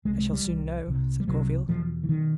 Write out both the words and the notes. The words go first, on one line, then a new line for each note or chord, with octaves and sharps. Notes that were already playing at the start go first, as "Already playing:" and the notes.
"I shall soon know," said Gourville.
C2 C3 G#3
G#3
G3
C2 C3
C2 C3
G3
C2 C3 F#3
E2 B2 F3
E3
B2 D#3